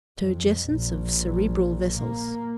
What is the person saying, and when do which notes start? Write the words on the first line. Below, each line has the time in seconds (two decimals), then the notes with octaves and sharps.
Turgescence of cerebral vessels.
0.19 F2
0.63 A#1
1.99 A#3